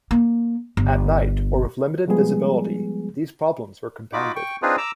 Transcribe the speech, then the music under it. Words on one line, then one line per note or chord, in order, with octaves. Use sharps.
At night, or with limited visibility, these problems were compounded.
A#3
G1
F3 G3 G#3 B3 G#4
D#4 F4 F#4 B5 D6
G5 C#6
C4 D4 D#4 F4 G#4 B4
A#5 D6 E6